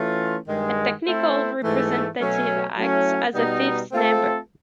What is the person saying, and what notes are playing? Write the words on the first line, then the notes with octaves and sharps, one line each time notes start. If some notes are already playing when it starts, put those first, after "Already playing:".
A technical representative acts as a fifth member.
Already playing: E3 A3 C#4 F4
G2 D#3 G#3
A3 C4 E4 A4 C5
G#2 E3 A3
B2 F#3 A3 C#4
F#3 A3 C#4 E4
B2 G3 B3 D#4
A3 C4 F4 A4